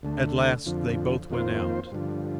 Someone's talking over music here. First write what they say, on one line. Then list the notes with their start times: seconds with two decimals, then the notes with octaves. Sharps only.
At last they both went out.
0.03 D2 D3 A3
0.66 F2 D3 F3
1.30 F2 D#3 A#3 F4 C5
1.92 G2 D3 F3